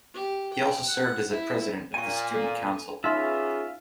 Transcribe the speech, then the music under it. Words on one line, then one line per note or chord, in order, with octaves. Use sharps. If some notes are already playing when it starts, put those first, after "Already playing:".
He also served as a president of the student council.
G4
G5
F#5
E4
A#2 G5 G#5 C#6
A4
B3 C#4 D#4 F4 G#4 E5 C6